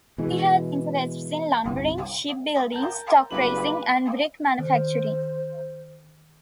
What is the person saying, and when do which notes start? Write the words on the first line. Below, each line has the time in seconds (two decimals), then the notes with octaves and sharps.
He had interests in lumbering, ship building, stock raising and brick manufacturing.
0.18 B2 E3 G#3
1.65 G1 C2
2.72 A#4 A5 G6
3.31 F#1 G3 B4 F5 D6 F#7
4.59 D#3 C5